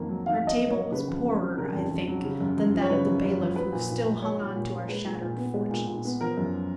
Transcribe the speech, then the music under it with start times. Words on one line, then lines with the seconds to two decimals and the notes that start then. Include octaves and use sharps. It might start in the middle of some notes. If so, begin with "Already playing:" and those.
Our table was poorer, I think, than that of the bailiff who still hung on to our shattered fortunes.
Already playing: F2 D#3 A#3
0.09 F#3
0.26 D#3 F5
0.42 F2 D#5
0.59 A#3
0.70 F#3 C#5
0.92 C#3 B4
1.08 F2
1.25 F2
1.41 F#3
1.57 C#3 A#4
1.75 F2
1.91 F2
2.07 F#3
2.24 C#3
2.40 F#2
2.57 F#2
2.74 F3
2.81 C#5
2.90 C#3 B4
3.07 F#2
3.24 F#2
3.40 F3
3.56 F#3 B4
3.72 A#2
3.89 A#2
4.06 A#3
4.22 F#3 C#5
4.39 A#2
4.56 A#2
4.72 A#3
4.88 G#3 B4
5.05 A#2
5.22 A#2
5.37 B3
5.54 G#3
5.70 A#2
5.87 A#2
6.05 B3
6.21 F3 A#4
6.37 F#2